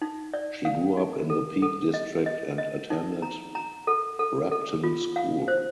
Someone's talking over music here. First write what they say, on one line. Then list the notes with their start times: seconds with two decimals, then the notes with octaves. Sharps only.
She grew up in the Peak District and attended Repton School.
0.02 D#4
0.34 D5
0.65 F5
0.97 D#4
1.30 A4
1.62 A4
1.94 D#5
2.26 D#5
2.58 D#5
2.90 D#4
3.22 A#5
3.55 A#5
3.87 A4
4.19 A4
4.52 A4
4.84 F4
5.16 F5
5.48 C5